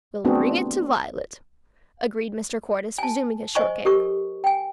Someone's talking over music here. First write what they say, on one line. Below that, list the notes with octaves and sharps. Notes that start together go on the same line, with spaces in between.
"We'll bring it to Violet," agreed Mr. Cordyce, resuming his shortcake.
A3 B3 C4 D4 F#4 G#4
G#5 A5
C5 D#5 G#5 C#6
G4 A4 A#4 C#6
G5 G#5